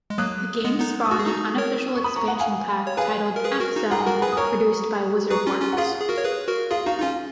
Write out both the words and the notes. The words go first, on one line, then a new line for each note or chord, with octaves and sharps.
The game spawned an unofficial expansion pack titled "F!Zone", produced by WizardWorks.
G#3
F#3 A#3 D#6 F#6
G#3 B3
B3 D#4
D#6
F#4 C#6 F6
G#4
D#4 F#4
A#4 C#5
C#6
B5 D#6
A#5 C#6
F#5 A#5
F5 G#5
C#5
G#4 B4 F5 G#5
A#4
G#4 B4
F#4 A#4
D#4 F#4
F4 G#4 F#5 A#5
G#5
F#4 A#4 F#5 A#5
G#4 B4 G#5 B5
D#6
A#4 C#5 A#5 C#6
G#4 B4 A#5 C#6
C#4 F4
C#4 F4
F#5
F4 G#4 F5
G#4
F#4 A#4
C#5
G#4 B4
F#4 A#4
F4 G#4 F5
D#4 F#4 F5
D#4
C#4 F4 F5